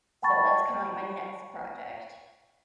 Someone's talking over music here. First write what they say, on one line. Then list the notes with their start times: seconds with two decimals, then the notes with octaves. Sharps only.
So that's kinda, like, my next project.
0.22 F#5 G5 A5 B5 C#6 A6